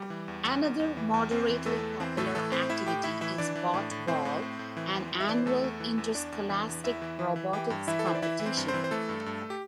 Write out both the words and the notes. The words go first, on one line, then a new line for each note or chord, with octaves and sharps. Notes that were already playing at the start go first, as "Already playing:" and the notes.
Another moderately popular activity is Botball, an annual interscholastic robotics competition.
Already playing: G3 G4
E3
E2
E2
E2
E2
E3
E2
E2 C4 C5
E3
E2 A3 A4
E2
E3 C4 C5
A2 A3 A4
E3 A3 A4
A2 C4 C5
A2 E4 E5
A2 G4 G5
A2 E4 E5
E3 E4 E5
E3 D4 D5
E3
A2
A2
A2 C4 C5
A2
A2
A2
E3
E2
E3
E5
E3 D5
C5
E2 A3 A4
E2
E3
E2
E2 D4 D5
E2
E3
E2
E2 E4 E5
E3
E3
E3
E3 G4 G5
G2
E3 E4 E5
A4
E3 C5
D5
E3 E4 E5
E3
C4 C5
G2
C4 C5
E3
C5
E3 A3 A4
G2
G2
G4